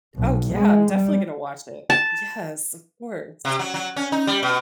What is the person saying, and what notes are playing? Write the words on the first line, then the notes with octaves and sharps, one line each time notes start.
Oh, yeah, I'm definitely gonna watch it. Yes, of course.
B1
G#3
G3
A5
C3
F#3
F#3
C#4
D#4
G3
B2